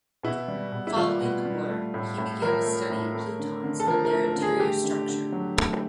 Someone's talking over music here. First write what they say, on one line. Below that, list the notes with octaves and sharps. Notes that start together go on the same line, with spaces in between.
Following the war, he began a study of plutons and their interior structure.
B2 E4
G3
B2
E4
G3 F4
B2
G3
A3
A2
A2
F3 A#4
A3
A2
A3
D3
D3
A4
F3 A#4
A#4
A3
A#4
D3
G#4
A3 G4
D3
D3
F#3
A3